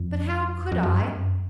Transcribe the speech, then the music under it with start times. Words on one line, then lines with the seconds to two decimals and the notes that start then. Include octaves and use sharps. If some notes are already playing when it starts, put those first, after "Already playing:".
But how could I?
Already playing: F2
0.61 E2
0.72 F2
0.83 F#2
0.94 G2
1.16 F#2